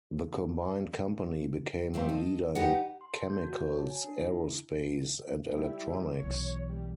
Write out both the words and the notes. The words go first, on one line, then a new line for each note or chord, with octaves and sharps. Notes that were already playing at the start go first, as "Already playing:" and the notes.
The combined company became a leader in chemicals, aerospace, and electronics.
F3 A3 C4
A4 D#5
D#4 G4 B4 F#5
C6
A5
G6
F#4
C#5
A5
G#5
D4
E4
G3 E4
B1 E3 C#5
G3